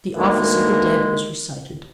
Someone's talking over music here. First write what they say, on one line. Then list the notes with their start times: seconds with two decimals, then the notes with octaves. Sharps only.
The Office of the Dead was recited.
0.16 D2 D#3 E3 G#3 A#3